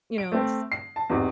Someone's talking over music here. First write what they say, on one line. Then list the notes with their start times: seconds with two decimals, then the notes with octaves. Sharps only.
You know, it's
0.18 D7
0.32 A3 C4
0.72 C7
0.96 A5
1.10 E2 G#2 C3